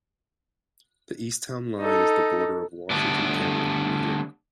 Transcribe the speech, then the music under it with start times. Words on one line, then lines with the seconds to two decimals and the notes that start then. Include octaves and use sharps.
The east town line is the border of Washington County, New York.
1.79 D#4 A4
2.91 D3 G3 A3 B3 D4